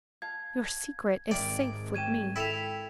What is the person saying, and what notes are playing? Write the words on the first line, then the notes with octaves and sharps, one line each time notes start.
Your secret is safe with me.
F5 A5 G#6
G#1 G#2 G4 A#4 D5 E5
C#4 G4 G#6 D#7 E7
E4 A4 G5 B6 E7 F7